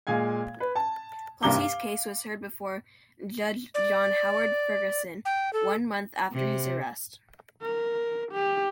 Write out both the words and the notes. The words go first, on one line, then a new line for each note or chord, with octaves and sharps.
Plessy's case was heard before Judge John Howard Ferguson one month after his arrest.
A#2 G#3 F5 G#5 G#6
B4
A5
C2 G2 A#3 A#5 D6 G7
F5
D5
G5
A4
C3
A#4
G4